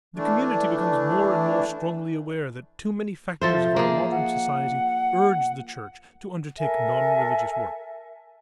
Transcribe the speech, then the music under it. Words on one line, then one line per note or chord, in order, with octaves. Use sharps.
The community becomes more and more strongly aware that too many factors of our modern society urge the church to undertake non-religious work.
E3 A3 D4
F3 A4 C5 E5
A#3 G#4
F#5
A4 A#4 E5 G#5